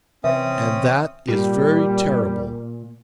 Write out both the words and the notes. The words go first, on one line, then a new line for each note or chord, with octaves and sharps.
And that is very terrible.
C3 E3 C4 C#4 E5 D#6
A#2 G3 G4